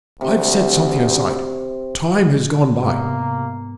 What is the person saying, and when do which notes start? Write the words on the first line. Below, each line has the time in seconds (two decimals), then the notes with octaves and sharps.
I've set something aside. Time has gone by.
0.21 D2 C3 C#6
2.82 G#2 C3 A#3 B3